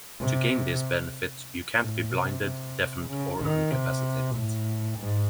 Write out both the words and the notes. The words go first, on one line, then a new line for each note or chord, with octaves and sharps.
To gain this benefit, you can’t be blinded, deafened, or incapacitated.
C3
A2
C3
C3
C#3
D#3
C3
A2
G#2